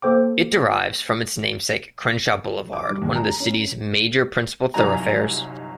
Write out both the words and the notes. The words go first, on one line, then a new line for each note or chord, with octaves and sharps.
It derives from its namesake Crenshaw Boulevard, one of the city's major principal thoroughfares.
A#3 A4 C5 G5 D6
D6
G3
D#2
A#5
C#4
G1 C2 F#3 D#4 G#5 A#5